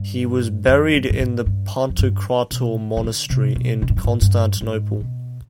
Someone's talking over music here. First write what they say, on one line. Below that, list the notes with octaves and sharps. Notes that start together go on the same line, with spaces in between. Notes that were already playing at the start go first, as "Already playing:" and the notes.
He was buried in the Pantokrator Monastery in Constantinople.
Already playing: G2
F2
G2
G2
G#2
G2
F2
G2
B2
D#3
D3
C3
B2
B2
G#2
G2
G#2
G2
G#2
B2